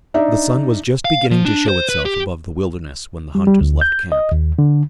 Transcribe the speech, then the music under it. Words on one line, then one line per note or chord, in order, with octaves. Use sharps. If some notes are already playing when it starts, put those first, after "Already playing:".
The sun was just beginning to show itself above the wilderness when the hunters left camp.
D4 D#4 D5 E5
F5
F3
D4
C5
B4
G4
G3
G3
D2
G6
D#5
D#2
D3